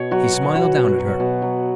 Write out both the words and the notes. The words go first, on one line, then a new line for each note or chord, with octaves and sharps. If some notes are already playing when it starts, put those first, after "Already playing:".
He smiled down at her.
Already playing: B2 B4 C#5
F#3 F#4
B2
F#3 F#4
B2
F#3
B2
F#3